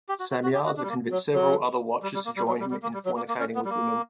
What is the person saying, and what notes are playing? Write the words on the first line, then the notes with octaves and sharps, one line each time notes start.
Samyaza convinced several other Watchers to join him in fornicating with women.
G4
F#4
F#4
F#4
G4
F#4
D4
G3
A#3
F#3
F#3
G3
G3
A#3
G3
F#3
G3
G3
A#3
G3
F#3
A#3
A#3
C#4
B3
G3
A#3